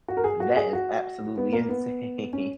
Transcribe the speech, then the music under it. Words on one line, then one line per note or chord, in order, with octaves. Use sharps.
That is absolutely insane.
F#4
A#4
G#4
F#4
G#4
F#4
B3
A#3
B3
C#4